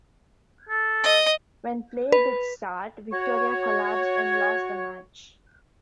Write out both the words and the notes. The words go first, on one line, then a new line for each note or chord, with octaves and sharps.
When play did start, Victoria collapsed and lost the match.
A4
D#5
B4
F#4 C#5